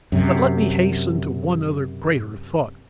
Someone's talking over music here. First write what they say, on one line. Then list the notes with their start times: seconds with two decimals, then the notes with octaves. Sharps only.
But let me hasten to one other greater thought.
0.12 F#2 C3